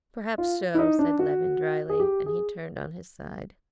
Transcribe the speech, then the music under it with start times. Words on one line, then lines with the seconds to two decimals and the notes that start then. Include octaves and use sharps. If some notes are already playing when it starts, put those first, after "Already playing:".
"Perhaps so," said Levin dryly, and he turned on his side.
0.38 F4
0.75 E4
0.78 D#4
0.99 D4
1.19 F#4
1.89 G#4
2.00 G4
2.26 G#4